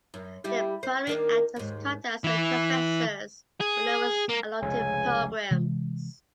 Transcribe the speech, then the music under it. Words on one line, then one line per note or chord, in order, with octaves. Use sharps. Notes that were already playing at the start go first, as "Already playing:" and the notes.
They primarily act as contacts and confessors for the numerous Altötting pilgrims.
F#2
G3 E4 G4
C5
D#3 A#3 D4
D#2 G#2
E3 E4
G#4
A#3
F1 C#2 C#3 G#5
C3 E3 G#3